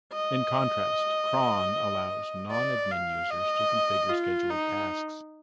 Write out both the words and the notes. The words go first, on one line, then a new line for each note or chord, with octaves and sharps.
In contrast, cron allows non-admin users to configure scheduled tasks.
D#5
D5
F5
D#5
F4
D#4